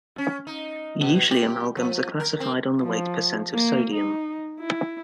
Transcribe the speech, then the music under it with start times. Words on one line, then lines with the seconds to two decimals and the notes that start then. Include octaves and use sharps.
Usually amalgams are classified on the weight percent of sodium.
0.18 C#4
0.47 D#4
1.01 B2
1.31 G4
1.77 F3
2.20 A#4
2.40 C4
2.82 F3
3.53 A#3
3.95 D#4
4.60 E4